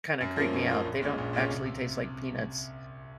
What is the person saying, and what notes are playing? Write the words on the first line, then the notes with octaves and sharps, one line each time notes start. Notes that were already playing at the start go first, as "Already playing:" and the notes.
kinda creep me out, they don't actually taste like peanuts.
F#2
F3 A#3 C#4
F#2
F3 A#3 C#4
A#1
A#2 G#3 C#4
A#1
A#2 G#3 C#4
C2
C3